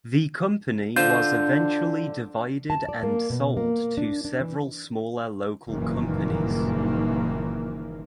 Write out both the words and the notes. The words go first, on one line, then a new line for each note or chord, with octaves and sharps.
The company was eventually divided and sold to several smaller local companies.
D3 D4 F4 C5 G6
A5
D5
A#3
B2
A#3
D4
D4
E3
F#1 G2 A#2 D#3 E3 A#3